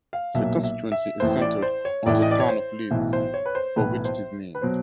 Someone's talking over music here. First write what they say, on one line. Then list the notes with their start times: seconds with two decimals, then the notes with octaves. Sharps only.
The constituency is centred on the town of Lewes, for which it is named.
0.13 F5
0.35 B1 A#2 F#3 E5
0.64 E5
0.92 E5
1.20 A1 A2 E3 C5
1.41 D5
1.62 C5
1.85 C#5
2.06 A1 A2 E3 D5
2.22 D#5
2.31 D5
2.40 C#5
2.49 C5
2.91 B1 A2 E3
3.13 C5
3.34 C#5
3.46 B4
3.55 C5
3.76 B1 A2 E3 B4
4.05 C5
4.55 B4
4.62 B2 F#3 C5